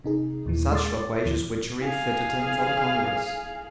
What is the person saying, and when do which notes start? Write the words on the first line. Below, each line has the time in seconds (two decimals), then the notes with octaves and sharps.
Such loquacious witchery fitted him for the Congress.
0.04 C3 D#4 G#4
0.46 D#2 A#2 E3
0.71 G#3 G#4 C6 D6 A6
1.25 D2 E3
1.82 G#4 F5